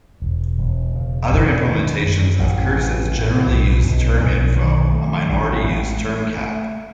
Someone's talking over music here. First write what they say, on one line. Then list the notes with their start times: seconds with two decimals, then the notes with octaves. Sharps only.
Other implementations of curses generally use terminfo; a minority use termcap.
0.22 E1
0.58 E1
0.94 C#3
1.30 E1
1.66 D#3
2.03 F#2
2.39 A1
2.75 E3
3.11 A2
3.47 B1
3.84 B1
4.19 B1
4.56 D#3
4.92 A3
5.29 A1
5.64 G#3
6.01 A3
6.37 A3